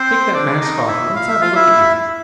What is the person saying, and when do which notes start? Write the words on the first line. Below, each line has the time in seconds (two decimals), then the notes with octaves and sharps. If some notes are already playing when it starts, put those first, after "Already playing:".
"Take that mask off and let's have a look at you."
Already playing: C4 C5
0.34 D4 D5
0.61 D#4 D#5
0.87 E4 E5
1.15 F5
1.28 E5
1.41 F4 F5
1.55 E4 E5